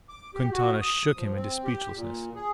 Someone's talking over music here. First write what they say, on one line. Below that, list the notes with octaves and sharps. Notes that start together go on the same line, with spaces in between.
Quintana shook him into speechlessness.
D6
G4
F#4
D#6
F3
C4
G4
A#2
G#4